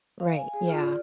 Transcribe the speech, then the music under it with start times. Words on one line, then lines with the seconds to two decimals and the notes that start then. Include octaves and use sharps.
Right, yeah.
0.20 F5
0.38 G#5
0.54 G#4
0.69 F4
0.82 D5